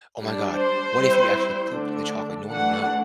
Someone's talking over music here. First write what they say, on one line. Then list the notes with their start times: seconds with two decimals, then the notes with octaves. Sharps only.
Oh my god. What if you actually pooped in the chocolate? No one would know.
0.20 G3 D4
0.58 C5
0.97 G3 C4 E4
1.73 D3 A3 D4
2.49 E3 A3 D4 F#5